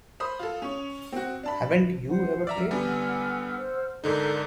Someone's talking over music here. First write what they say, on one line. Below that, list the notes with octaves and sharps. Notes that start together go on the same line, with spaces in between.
Haven't you ever played?
C5 B5 D#6
F4 A4
C#4 C#5
C4 F#4
D4 A5 B5
C5 F#5
D5 E5 F#5 A#5 E6 F6
D3 G3 B3 G#5
C5
G#2 D3 D#4 A4 A#4 D5